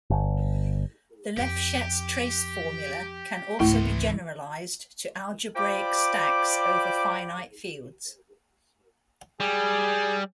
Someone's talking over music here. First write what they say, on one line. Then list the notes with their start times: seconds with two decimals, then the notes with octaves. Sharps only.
The Lefschetz trace formula can also be generalized to algebraic stacks over finite fields.
0.10 G1
1.37 F2 G4
3.60 G#1 C#2 E3 A3 E4 C6
5.55 F4 C5 D5 G5 B5 D6
9.40 G3 G#4